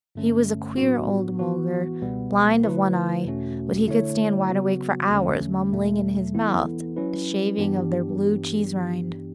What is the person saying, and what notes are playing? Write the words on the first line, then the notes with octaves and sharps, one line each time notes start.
He was a queer old Mulgar, blind of one eye, but he could stand wide awake for hours mumbling in his mouth a shaving of their blue cheese-rind.
G2 D3 A3 C#4
A2 F#3 B3 D4 F#4
E3 B3 F#4
C#2 B2 G3 B3
D3 A3 E4 B4
E2 B2 A3 C#4 F#4
D3 A3 E4 A4 C#5
C#3 F#3 B3 F#4
E2 D3 A3 C#4
E2 B2 A3
E3 B3 E4 A4
F#3 C#4 E4 B4
G2 E3 B3 D4 G4